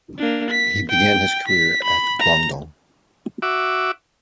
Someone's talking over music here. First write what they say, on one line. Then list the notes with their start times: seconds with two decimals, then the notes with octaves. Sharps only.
He began his career at Guangdong.
0.17 A#3 D4
0.50 B6
0.89 G5
1.47 B6
1.84 B5
2.19 A#5
3.42 F#4 E5 D6